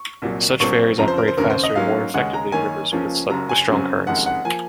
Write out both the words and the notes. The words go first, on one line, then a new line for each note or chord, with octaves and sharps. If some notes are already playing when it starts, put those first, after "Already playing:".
Such ferries operate faster and more effectively in rivers with strong currents.
Already playing: C#6
C2 A#2 F#3
A#1 A#2 F#3 C4 C#6
F#1 F2 C#3 F3 C4 A#5
C5
A#4
C5
F1 D#2 C#3 A#4
C5
D#5
G#2 F#3 A#3 C#4 F5
D#2 C#3 G#3 C#4 F#5
A#5
F#2 D#3 A#3 C#4 G#5
C#2 C#3 F3 A#3 C#4
F#1 F#2 C#3 F#3 A#5
G#5
F#2 C#3 F#3 C4
F#1 F2 C3 D#3 G#3 F#5
F#5
F3 A#3 G#5